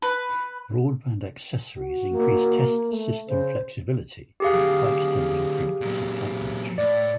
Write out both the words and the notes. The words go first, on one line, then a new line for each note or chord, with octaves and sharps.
Broadband accessories increase test system flexibility by extending frequency coverage.
B4
F#4
A#3
A3
C#3 C5
G4 G#4 F5
D3 F#3
A#2 F#3
A2 D5